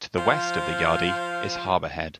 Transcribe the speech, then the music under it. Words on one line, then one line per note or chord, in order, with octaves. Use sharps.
To the west of The Yardie is Harbourhead.
F3 F4 C5 F5